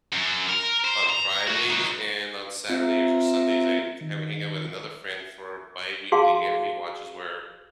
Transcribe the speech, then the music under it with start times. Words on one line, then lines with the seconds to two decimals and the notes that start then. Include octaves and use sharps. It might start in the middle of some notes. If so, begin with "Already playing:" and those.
on Fridays, and on Saturdays, or Sundays, I ha we hang out with another friend for biweekly anime watches where
0.12 F#2
0.49 A#4
0.84 C5
1.10 A#5
1.47 A3 F#4
1.70 D#4 F#4
2.69 C4 F4 E5 A#5
4.01 D#3
6.12 F#4 G#4 F5 A5 C6